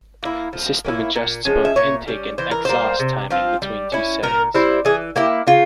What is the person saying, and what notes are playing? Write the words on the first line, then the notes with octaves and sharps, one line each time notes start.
The system adjusts both intake and exhaust timing between two settings.
A#3 E4
F3
A#3 C#4 E4
A#2
F3 G#3 C#4
E5
A#2 C#5
G3 C#4
E3 C5
A#4
G3 A#3 C5
C3
F3 C4 F4
G3
C#4 E4
A#2 A#4
G3 C4 E4
E3 G#4
A#3 E4 G4
C#3 F4